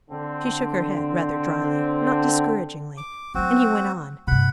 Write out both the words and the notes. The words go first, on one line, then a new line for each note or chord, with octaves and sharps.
She shook her head, rather dryly--not discouragingly--and he went on.
D3 C4
D6
F#3 A3 C4 F#4
G2 C3 F#5 B5